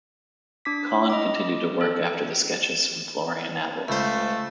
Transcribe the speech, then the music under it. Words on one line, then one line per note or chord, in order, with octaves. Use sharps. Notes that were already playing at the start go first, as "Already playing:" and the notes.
Collin continued to work after the sketches from Florian Abel.
D4 D6 B6
D#5 D6
A4
C#2 A3 C5